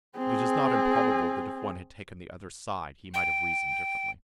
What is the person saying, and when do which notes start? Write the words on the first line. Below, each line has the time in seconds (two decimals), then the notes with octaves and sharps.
But it is not improbable that if one had taken the other side, he might have reasoned differently.
0.17 C4 G#4
3.14 G5